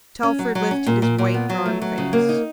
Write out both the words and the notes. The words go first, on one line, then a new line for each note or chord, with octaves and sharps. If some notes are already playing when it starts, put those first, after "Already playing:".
Telford lifted his white, drawn face.
C#4
F#3
F#3
C#4
A#2
A#2
A#2
B3
F#3
A3
F#3
C#3
A#3
D#4